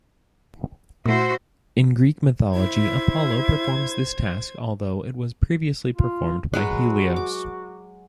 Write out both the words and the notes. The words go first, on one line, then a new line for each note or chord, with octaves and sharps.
In Greek mythology, Apollo performs this task, although it was previously performed by Helios.
A#2 A3 E4 F#4 C5
E4 C5 G#6
F4
F#3 G#3 F#4 B4
D6